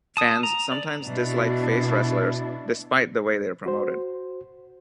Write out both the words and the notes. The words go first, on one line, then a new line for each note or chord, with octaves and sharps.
Fans sometimes dislike face wrestlers despite the way they are promoted.
A5 D#6
A#5
D5
B2 D4 E4
F#4 C5